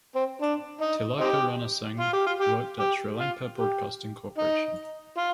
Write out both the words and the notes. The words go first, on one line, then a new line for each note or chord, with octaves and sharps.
Tilaka Ranasinghe worked at Sri Lanka Broadcasting Corporation.
C4
D4
D#4
C4 D#4 G4
F4
G4
F4
G4
G4
F4
G4
D#4
F4